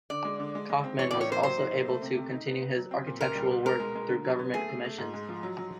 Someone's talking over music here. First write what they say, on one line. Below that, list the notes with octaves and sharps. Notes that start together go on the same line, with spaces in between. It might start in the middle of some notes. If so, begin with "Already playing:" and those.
Kaufmann was also able to continue his architectural work through government commissions.
D3 D5
G#3
D3
G#3
G#3
C4
E3 C#5
A2 D5
C#5
A#3 C5
F#3 C5
D#4
A#3
A3
C3
C3
D#4
B3
B3
F#3
C4
A#2
C#2 A#4
G3
B2
G#3 A#4
G#3
G#3
D3
F#3
B3
A3 G#4
A3
A3
G#2
G#3
F3
F#3
F#3